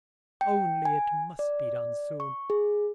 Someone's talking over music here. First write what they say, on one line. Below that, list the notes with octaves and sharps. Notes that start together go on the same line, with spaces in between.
Only it must be done soon.
G5
G#5
D5
C#6
G#4